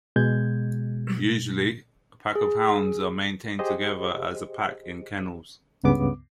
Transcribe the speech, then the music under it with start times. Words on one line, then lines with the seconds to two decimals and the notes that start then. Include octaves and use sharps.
Usually, a pack of hounds are maintained together as a pack in kennels.
0.16 B2 G#3 G6 G#6
2.35 G#4
3.59 G4 G#4 C5 D#5
5.83 C#2 G2 C#3 B3 D6